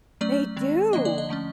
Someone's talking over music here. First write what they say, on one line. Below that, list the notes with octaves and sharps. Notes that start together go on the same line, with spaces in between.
They do!
F#3 A3 C#4 D5
D#3 G#3 C4
D3 F3 A#3 D4 D#5
D5
D#5
D3 F3 A3 C#4